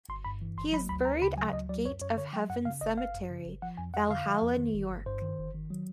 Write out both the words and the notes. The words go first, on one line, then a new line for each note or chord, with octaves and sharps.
He is buried at Gate of Heaven Cemetery, Valhalla, New York.
G1 C6
G2 B5
E3
G1 C6
F#3 B5
D2 B5
D2 A#5
C#3 B5
F#3 G#5
D2 D#5
F#3 D5
F#2 C#5
F#2 C#5
D3 C#5
F#3 G5
F#2 F#5
C#3 F5
G1 D#5
G1 F5
F#2
C#3
G1
F3 F#5
F2 G#5
F2 F#5
D3 F5
F3
F2
D#3
G1
G1
G2 C5
D#3
G1
D#3
F#3